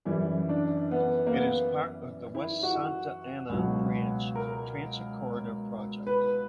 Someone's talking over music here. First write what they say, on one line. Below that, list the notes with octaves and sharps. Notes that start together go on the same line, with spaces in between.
It is part of the West Santa Ana Branch Transit Corridor project.
F#2 E3 G3 E4
D4
B3
A#3
B3
E4
F#4
C#2 B2 F#3
A#4
B4